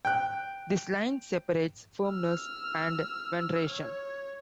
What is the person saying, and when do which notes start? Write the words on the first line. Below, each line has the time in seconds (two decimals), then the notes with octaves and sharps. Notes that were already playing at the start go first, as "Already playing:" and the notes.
This line separates Firmness and Veneration.
0.05 G5 F#6
2.07 E6 F6
3.69 C#5